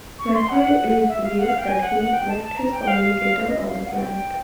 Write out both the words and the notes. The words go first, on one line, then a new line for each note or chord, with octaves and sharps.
McCoy reveals that he left his communicator on the planet.
C#6
C6
F#5
E5
F5
F#5
F5
G5
G#5
F#5
F#5
G5
A5
A5
A#5
G5
F5
D#5
E5
F5
F5
F#5
G5